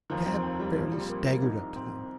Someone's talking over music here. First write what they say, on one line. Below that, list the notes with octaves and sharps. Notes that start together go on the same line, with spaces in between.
Tad fairly staggered up to them.
F1 D#2 D#3 F3
C4
C4
G3
A#1 A#2 F3
G3
C4
A#3
G3
C2 C3 D#3 D#4
C4